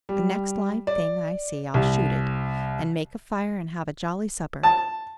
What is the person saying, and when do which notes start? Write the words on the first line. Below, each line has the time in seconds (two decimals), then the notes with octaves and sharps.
The next live thing I see I'll shoot it, and make a fire and have a jolly supper.
0.09 G3
0.87 D5
1.74 C2
4.63 A5